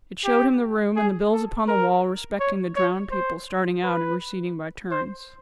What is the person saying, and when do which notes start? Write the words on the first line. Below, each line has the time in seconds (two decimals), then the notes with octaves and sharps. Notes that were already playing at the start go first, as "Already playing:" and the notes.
It showed him the room, and the bills upon the wall respecting the drowned people starting out and receding by turns.
0.24 G4
0.96 G#4
1.32 A4
1.68 A#4
2.40 C#5
2.76 C#5
3.11 C5
3.83 B4
4.91 C5